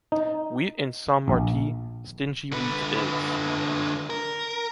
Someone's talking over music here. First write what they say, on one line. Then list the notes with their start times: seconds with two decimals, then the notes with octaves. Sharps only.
Wheat in Saint Martí, stingy wheat is.
0.12 D#4
1.28 A#1
2.52 D3 B4
4.10 A#4